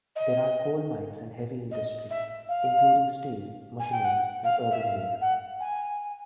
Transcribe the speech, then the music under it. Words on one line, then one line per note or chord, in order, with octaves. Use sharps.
There are coal mines and heavy industry, including steel, machinery, and earthenware.
D#5
D#5
E5
F5
G#5
G5
F#5
F5
E5
F5
F#5
G#5